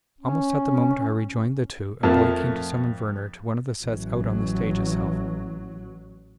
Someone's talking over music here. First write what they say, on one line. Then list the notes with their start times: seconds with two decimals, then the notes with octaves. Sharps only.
Almost at the moment I rejoined the two a boy came to summon Werner to one of the sets out on the stage itself.
0.21 C#4
2.03 F2 F3 A3 A#4 A5
3.84 A1 F#3